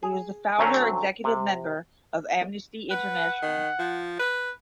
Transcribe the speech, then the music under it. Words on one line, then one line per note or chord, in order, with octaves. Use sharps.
He was the founder executive member of Amnesty International.
G#4
D2 F#3 A3 C4 C#4 A#5
C3
B4 F#5
D#3
F3
B4